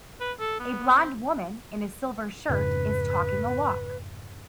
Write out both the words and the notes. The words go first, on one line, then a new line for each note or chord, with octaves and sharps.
A blond woman in a silver shirt is talking a walk.
B4
A4
B3
C4
F2 G#2 C#3 B4